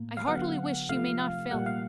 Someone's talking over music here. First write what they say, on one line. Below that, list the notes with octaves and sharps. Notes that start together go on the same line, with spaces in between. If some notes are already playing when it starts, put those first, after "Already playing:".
I heartily wish you may not fail them.
Already playing: A2 A#3
F5
D3 F#3 B3 F#5
C3 F3 A3 F5
A#2 G3 A#3 F#5
F5